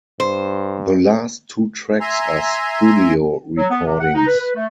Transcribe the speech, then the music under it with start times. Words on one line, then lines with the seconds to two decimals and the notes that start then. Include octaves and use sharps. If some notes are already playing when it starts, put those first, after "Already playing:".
The last two tracks are studio recordings.
0.20 G2 C5
2.01 E5 G#5 A#5 C6
3.57 F#3
3.71 B3
3.86 C3
4.00 F#5
4.15 D#4
4.27 B4
4.39 B4
4.55 A3